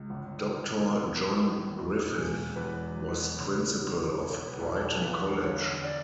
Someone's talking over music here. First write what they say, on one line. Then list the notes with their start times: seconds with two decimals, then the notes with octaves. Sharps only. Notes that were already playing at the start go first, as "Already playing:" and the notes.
Doctor John Griffith, was Principal of Brighton College.
Already playing: C#2
0.10 G1
0.51 G1
0.92 B1
1.33 A2
1.74 B2
2.14 E1
2.56 E2 B4
2.96 F#3
3.38 C#3
3.79 E2
4.19 B1 C#5
4.47 B4
4.61 B1
4.75 A4
5.01 E2 B4
5.43 D3 C#5
5.84 D5